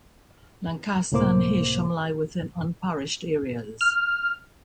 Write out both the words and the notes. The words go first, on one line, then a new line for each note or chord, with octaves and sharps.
Lancaster and Heysham lie within unparished areas.
C#2 A2 C3 A#3 C5 D6
F6